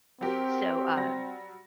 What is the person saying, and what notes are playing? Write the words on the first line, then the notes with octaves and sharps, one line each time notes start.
So, uh,
F#3 C4 G4 A#4
F#3 G3 A#6